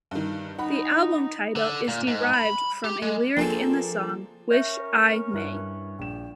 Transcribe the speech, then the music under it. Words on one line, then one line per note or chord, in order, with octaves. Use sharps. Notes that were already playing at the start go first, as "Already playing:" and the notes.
The album title is derived from a lyric in the song, "Wish I May".
G2 D#3
D#4 F#5 B5
D3
A#2
G#2
B5
G4
G#3
F3 A#3 C4 D4 G#4 A4
C#4 A#4 C#5 E5
G2 E4 F#6
A#1 G5 E7